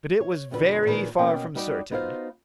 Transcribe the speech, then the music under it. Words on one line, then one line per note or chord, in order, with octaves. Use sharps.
But it was very far from certain.
C#5
F2 B2 D3 A4 B4
A#2 D#3 G#4 B4
B2 A#3 B3 C#4 D#5 G5
G3 D#4 F#4 G4 D5
B3 D#4 F4 F#4 C5 F5